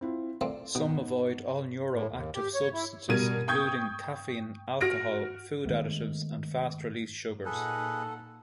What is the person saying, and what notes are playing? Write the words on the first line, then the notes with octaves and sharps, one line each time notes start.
Some avoid all neuroactive substances including caffeine, alcohol, food additives and fast-release sugars.
C4 E4 F4
A3 A#3 C4 D5
B2 B3 D#4
A2
D#2
G4
C#5
E4
B2 G3 A#4 G#6 D#7
G5 C#6 D#6 G6 G#6
F#4 F6 A#6 D7
D#3 G#3 A3 B3
A#2 D#4 G#4 A4 B4 F#5